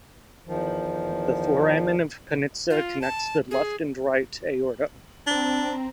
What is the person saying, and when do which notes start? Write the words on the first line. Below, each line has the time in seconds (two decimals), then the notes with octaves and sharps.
The foramen of Panizza connects the left and right aorta.
0.47 E2 D#3 F3
2.70 F4
3.01 A5
3.51 G#4
5.27 C4 D4 A#5